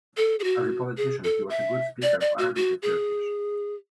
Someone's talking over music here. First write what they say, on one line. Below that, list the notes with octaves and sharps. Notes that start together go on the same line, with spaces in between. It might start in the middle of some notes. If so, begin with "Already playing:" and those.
As a politician he was a good speaker of Arabic and Turkish.
A4
G#4
F#4
G#4
A4
E5
D5
D5
F#4
F#4
G#4